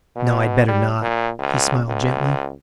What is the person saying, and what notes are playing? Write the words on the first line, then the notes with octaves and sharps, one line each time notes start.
"No, I'd better not," he smiled gently.
B2
G3
A#2
C#2
C#2